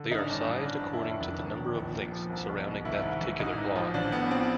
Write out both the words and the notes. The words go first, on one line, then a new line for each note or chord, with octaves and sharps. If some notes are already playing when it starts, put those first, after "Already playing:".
They are sized according to the number of links surrounding that particular blog.
Already playing: D3
A1 D#4
D4
C#4
G2 D4
E3
G#1 D4
F#2
E4
D#3
F1 D4
D#2
D#3
A#1
A#2
F3
C2
B2
C2
G#1 E4
G#2
E3
A1 D#4
G#2
F3
A1 D4
A2 B3
F3 C4